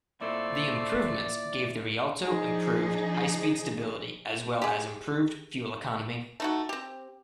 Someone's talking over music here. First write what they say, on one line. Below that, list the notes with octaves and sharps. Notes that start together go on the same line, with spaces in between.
The improvements gave the Rialto improved high-speed stability as well as improved fuel economy.
A#2 A3 A#3 C4 E4 A4 D5
F3 D4 D#4 G#4
G4 G#4
A3 D#4 F#4
C4 G4